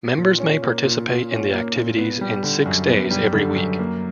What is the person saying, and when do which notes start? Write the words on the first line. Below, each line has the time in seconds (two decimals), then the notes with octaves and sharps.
Members may participate in the activities in six days every week.
0.18 A#2
0.40 C#4
0.62 A#3
0.85 A#2
1.08 A#2
1.31 C#4
1.53 A#3
1.76 A#2
1.98 B3
2.21 G3
2.43 D3
2.66 F#2
2.89 B3
3.11 G3
3.33 D3
3.56 F#2
3.79 A#3